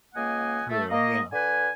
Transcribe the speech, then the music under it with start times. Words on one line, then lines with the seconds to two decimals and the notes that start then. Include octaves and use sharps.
True, yeah.
0.15 C#2 A#3 D#5 F#5 G#5
0.70 A3
0.90 A#3 D#5
1.33 D3 B4 G#5